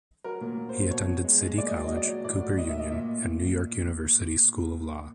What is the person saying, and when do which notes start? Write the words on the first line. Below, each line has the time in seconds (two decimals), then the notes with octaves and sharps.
He attended City College, Cooper Union, and New York University School of Law.
0.24 F#3 A#4
0.41 A#2
0.58 A#2
0.69 C5
0.74 F#3
0.91 B2 C#5
1.08 B2
1.24 G#3
1.41 G#3
1.58 A#2 D5
1.67 D#5
1.75 F#3 D5
1.87 F#3 D#5
1.97 D5
2.08 F#3
2.25 A2 D5
2.41 F#3
2.58 F#3 D#5
2.69 E5
2.75 A2 D#5
2.92 A#2 E5